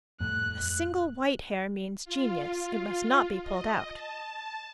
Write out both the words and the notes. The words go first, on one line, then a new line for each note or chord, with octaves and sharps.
A single white hair means genius; it must not be pulled out.
F2 A2 F#6
F4
D#5
A5